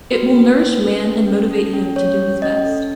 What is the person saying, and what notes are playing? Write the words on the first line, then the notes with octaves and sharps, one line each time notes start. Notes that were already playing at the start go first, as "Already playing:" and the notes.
It will nourish man and motivate him to do his best.
F#4 B4
C#4
C#4
A4
C#4
C#4
A4
C#4
C#4 C#5
C#4
C#4 D#5
A4